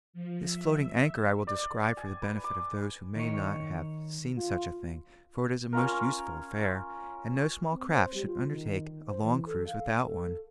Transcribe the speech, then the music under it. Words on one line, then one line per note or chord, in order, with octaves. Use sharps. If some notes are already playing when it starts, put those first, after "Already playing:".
This floating-anchor I will describe for the benefit of those who may not have seen such a thing, for it is a most useful affair, and no small craft should undertake a long cruise without one.
F3
E5
D5
G#5
B4
D6
D#3 C#5
F4
C#4 F4 A#4
C4
C5
G3
F4
D#3
C5
E3
A4
F5
A4